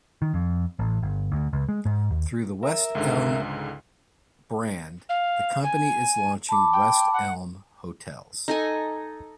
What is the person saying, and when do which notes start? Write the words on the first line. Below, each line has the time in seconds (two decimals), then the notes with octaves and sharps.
Through the West Elm brand, the company is launching West Elm Hotels.
0.22 D#3
0.34 F2
0.79 A1
1.02 G1
1.32 D2
1.53 C#2
1.69 G#3
1.85 G#2
2.10 D#2
2.63 A#4 E5
2.95 C#2 G#2 D3
5.09 F5
5.63 G#5
6.49 A5 B5 D6
6.73 G5
7.13 F#5
8.48 D#4 A4 G#5